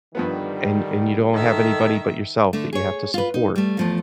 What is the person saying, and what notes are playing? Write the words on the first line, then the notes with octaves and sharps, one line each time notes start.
and and you don't have anybody but yourself that you have to support,
G2 D3 D#3 F3 G3 B3
D#3 A4 E5
D3 A3
G#4 C#5
F4 B4
D#4
G3 A3
E2 F3 A3